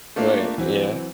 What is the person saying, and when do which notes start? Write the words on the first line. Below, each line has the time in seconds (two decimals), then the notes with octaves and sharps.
Right, yeah.
0.16 A3 A#3 D4 F4
0.58 E3 F#3 C4